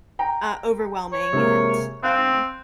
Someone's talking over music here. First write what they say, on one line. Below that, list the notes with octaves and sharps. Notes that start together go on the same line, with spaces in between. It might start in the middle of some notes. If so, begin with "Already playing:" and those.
uh, overwhelming and, um,
G5 A#5
C#5
C3 G#3 A#3
C4 F5 F#6